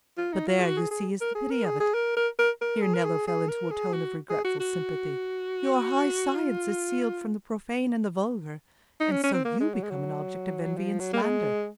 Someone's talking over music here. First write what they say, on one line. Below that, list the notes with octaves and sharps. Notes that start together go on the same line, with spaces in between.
But there, you see, is the pity of it,"--here Nello fell into a tone of regretful sympathy--"your high science is sealed from the profane and the vulgar, and so you become an object of envy and slander.
F4
D#4
F4
G#4
F#4
G#4
G#4
A#4
G#4
A#4
G#4
G#4
A#4
A#4
A#4
A#4
G#4
A#4
G#4
G#4
A#4
G#4
F#4
G#4
F#4
F#4
F4
D#4
C#4
C#4
C4
A#3
G#3
F#3
G#3
F#3
F3
F#3
A#3
G#3